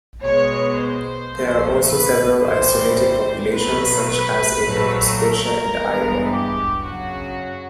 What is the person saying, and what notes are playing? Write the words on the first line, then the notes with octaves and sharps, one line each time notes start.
There are also several isolated populations, such as in Nova Scotia and Iowa.
B2 G#3 B3 C#5
C5
A#2 F3 A3
B4
A2 E3 G3 C5
C5
B2 F#3 A3 B4
B4
A#2 F#3 A3
A#4
G2 E3 G#3 B3
G4
F#2 C#3 F#3 F#4